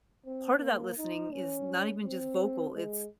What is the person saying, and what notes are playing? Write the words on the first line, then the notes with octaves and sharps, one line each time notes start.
part of that listening is not even just vocal, it's
C4
A#3
D#4
C#4
C4
G#3